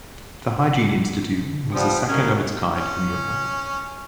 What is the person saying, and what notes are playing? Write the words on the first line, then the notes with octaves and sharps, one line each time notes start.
The Hygiene Institute was the second of its kind in Europe.
F3 G3 B3
G3 G#3 A#3 C#4 F#4 G#4
C#4